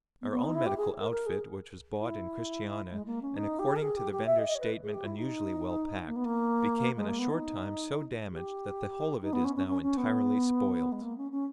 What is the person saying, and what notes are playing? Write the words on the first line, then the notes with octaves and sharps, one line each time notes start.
Our own medical outfit, which was bought in Christiania, and according to the vendor's statement unusually well packed, became in a short time so damaged that the whole of it is now entirely spoilt.
B3
B3
D#4
E4
G4
G#4
A#4
A#4
G#4
E4
G#3
A#3
C#4
D#4
G4
A#4
G#4
G4
G4
E5
D#5
D#5
C#5
B4
G#4
G4
E4
D#4
A#3
B3
A#3
G#3
A#3
B3
D#4
G4
D#4
B3
C#4
C#4
C#4
C#4
B3
G#3
A#3
C#4
C#4